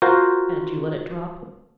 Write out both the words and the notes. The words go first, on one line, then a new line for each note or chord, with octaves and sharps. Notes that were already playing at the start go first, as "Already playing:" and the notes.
"And you let it drop?"
F4 F#4 A#4 C5